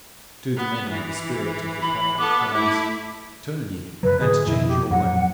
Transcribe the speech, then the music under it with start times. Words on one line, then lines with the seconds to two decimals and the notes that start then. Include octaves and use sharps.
To the many, the spirit of the prophet cries, 'Turn ye, and change your way!
0.57 B3
0.89 E3
1.82 B5
2.18 B3 A4 D6
2.54 A3 E4
4.03 F#2 C#3 F#3 B4
4.20 A2 D3 G#4
4.47 F2 B2 E4
4.67 G4
4.90 F2 A#2 F#3 F#5